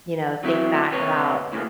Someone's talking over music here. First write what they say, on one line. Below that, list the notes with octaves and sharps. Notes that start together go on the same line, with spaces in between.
you know, think back about
F#3 C4 E4
C3 B4 C#5
A2 C#3 A#3